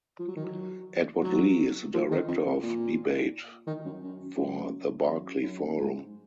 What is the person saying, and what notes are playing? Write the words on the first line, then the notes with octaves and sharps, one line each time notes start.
Edward Lee is the Director of Debate for the Barkley Forum.
F3
F#3
D#3
F#3
F#3
F3
D#3
F2
F2
A#2
D#3
F#2
F#2
F#2
F#2
F#2
G#2